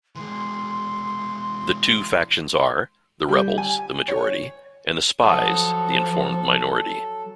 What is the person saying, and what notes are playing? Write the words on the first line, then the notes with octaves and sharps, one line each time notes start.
The two factions are: the Rebels, the majority; and the Spies, the informed minority.
E3 G#3 C6
G3
G#5
C#5
F3 F#3 A4 F#5 A5 D#6